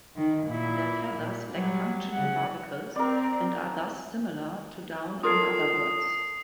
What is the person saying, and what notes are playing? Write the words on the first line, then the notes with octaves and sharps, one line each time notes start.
Their feathers lack functioning barbicels, and are thus similar to down on other birds.
D#3
A#2 E4
A#2
F#3 G3
C#3 F#5
C4 A#4 D5
F4 A4 A#4 C#5 D#6 C7